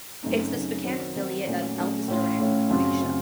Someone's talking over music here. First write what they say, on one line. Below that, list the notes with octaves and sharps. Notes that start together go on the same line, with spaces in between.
It is the Spokane affiliate of "Elvis Duran and the Morning Show".
F#2 C#3 A3 C4 D#4
F#2 C#3 A3 C4 D#4
D#3 F#3 C4 F#4 C5
D#3 F#3 C4 F#4 C5
A#2 F#3 A3 C#4
A#2 F#3 A3 C#4
A2 A3 C#4 F4
A2 A3 C#4 F4
F#2 C#3 F#3 C4 F4
C#3 F#3 C4 F4